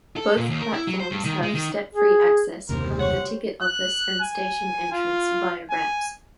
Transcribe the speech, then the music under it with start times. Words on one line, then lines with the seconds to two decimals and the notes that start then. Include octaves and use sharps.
Both platforms have step-free access from the ticket office and station entrance via ramps.
0.17 A4
0.37 A#2
0.50 D#2
0.62 A#4
0.74 E4
0.87 F#3
1.00 C5
1.12 G2
1.25 D#3
1.42 G#3
1.54 D#3
1.94 G#4
2.69 F#1 D#2 C3 G3 A#4 C5
2.99 C#5 F#5 C#6
3.62 F#6
4.20 G#5
4.92 F4
5.71 G#5